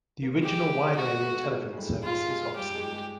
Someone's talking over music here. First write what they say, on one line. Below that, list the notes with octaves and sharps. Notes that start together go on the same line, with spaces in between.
The original Wide Area Telephone Service is obsolete.
A#3
A3
G#3 G4
G#3 A#3
G#3 A#3 F#4
A3 B3
G#3 A#3
G#3
G3 A3
G#3 F4
G#3
G3 G4
G#3
G#3